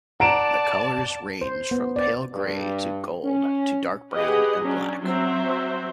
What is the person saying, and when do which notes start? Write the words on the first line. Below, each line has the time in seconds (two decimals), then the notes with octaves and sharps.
The colors range from pale grey to gold to dark brown and black.
0.20 D5 F#5 A5 A#5 D7 E7
1.41 C5
1.71 B3
1.96 D5
2.34 G2
3.24 C#4
4.15 G4 G#4 B4 D#5 F#5
4.63 F#3 C#4 D4
5.01 F#3 C4 F#4 C5 E5